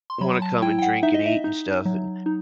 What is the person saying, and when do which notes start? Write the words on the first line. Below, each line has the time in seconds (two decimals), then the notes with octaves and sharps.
wanna come and drink and eat and stuff. And,
0.10 C6
0.21 F#3 B5
0.42 A5
0.62 E4 G5
0.79 G5
0.82 F#5
1.03 D#4 E5
1.14 D#5
1.26 E5
1.44 D#4
1.85 F#3
2.26 D#4